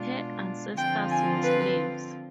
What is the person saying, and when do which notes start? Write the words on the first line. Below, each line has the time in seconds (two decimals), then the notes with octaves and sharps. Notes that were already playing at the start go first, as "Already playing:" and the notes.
Her ancestors were slaves.
Already playing: B2 G#3 D4 F4
0.77 D3 F3 C4 F4 G5
1.10 G#5
1.43 B4